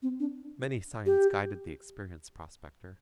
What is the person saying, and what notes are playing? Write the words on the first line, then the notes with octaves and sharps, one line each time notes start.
Many signs guided the experienced prospector.
C4
D4
G4